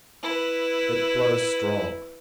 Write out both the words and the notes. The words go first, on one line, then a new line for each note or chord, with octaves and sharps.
It blows strong.
E4 B4